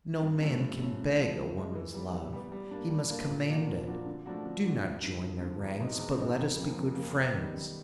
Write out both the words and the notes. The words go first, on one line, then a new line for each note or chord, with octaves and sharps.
No man can beg a woman's love; he must command it; do not join their ranks, but let us be good friends.
G2
D3 F3 A3 C#4
G2
D3 F3 A3 C#4
C#3
F3 G#3
C#3
F3 G#3
E3
G3 B3
E3
G3 B3
G3
A#3 D4
G3
A#3 D4
A#2
F3 A#3 D4 F#4
A#2
F3 A#3 D4 F#4
D3
F3 A3 D4 F#4
D3
F3 A3 D4 F#4
G2
D3 F3
G2
D3 F3
E2
B2 G#3 C4 D#4
E2
B2 G#3 C4 D#4
F2
C#3 F3 A#3
F2
C#3 F3 A#3
F#2
D#3 G3 B3
F#2